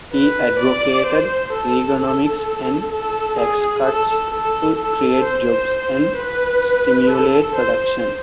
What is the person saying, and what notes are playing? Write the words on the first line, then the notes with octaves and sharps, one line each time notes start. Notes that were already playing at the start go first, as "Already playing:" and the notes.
He advocated "Reaganomics" and tax cuts to create jobs and stimulate production.
B4
D5
C5
A4
A4
A4
G#4
A4
A4
A4
C5
B4
A4
C5